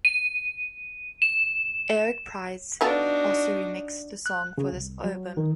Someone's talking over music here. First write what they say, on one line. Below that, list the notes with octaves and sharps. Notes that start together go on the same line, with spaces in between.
Eric Prydz also remixed the song for this album.
D#7
E7
B3 D4 D#4 F4 F#4 A4
F#6
C#3
C2
F#3
D#3